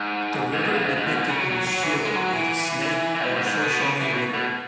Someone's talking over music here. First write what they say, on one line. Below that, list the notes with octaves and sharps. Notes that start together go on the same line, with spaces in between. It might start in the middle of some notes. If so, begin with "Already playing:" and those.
The river depicted in the shield is the Snake or Shoshone River.
Already playing: G#2
G#2
B2
C#3
G#2
G#2
B2
G#2
C#3
F#3
F#3
F#3
E3
G#3
F#3
E3
E3
E3
G#2
G#2
G#2
B2
C#3
E3
B2
B2